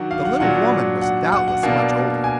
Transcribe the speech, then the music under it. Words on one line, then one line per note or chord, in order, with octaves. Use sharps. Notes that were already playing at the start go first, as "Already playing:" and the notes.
But the little woman was doubtless much older.
Already playing: D#3 F#3 D4 F#5
F5
F#5
A#2 F#3 D4 F#5
F#5
F#5
F#5
B2 A#3 D4
G#5